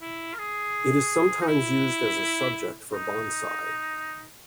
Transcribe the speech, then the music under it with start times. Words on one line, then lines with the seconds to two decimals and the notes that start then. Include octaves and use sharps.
It is sometimes used as a subject for bonsai.
0.02 E4
0.34 A#4
0.39 G#4
1.42 D#4
1.48 E4
2.93 D#4